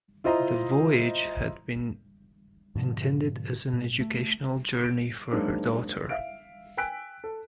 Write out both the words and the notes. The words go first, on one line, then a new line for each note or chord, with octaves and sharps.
The voyage had been intended as an educational journey for her daughter.
E4 F4 C5 D#5 A#5
G#2 B2 D3 F3
A#2
A3
D7
F#3 G#3 A#3 C4 D4 D#4
E5 F5 D7
G5 G#5 E6 F#6 B6 D7
A4